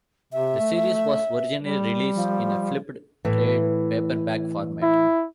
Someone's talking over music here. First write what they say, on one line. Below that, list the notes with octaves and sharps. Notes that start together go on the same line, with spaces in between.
The series was originally released in a flipped trade paperback format.
C3 E5
A3
G3
F3
A2 E3
E4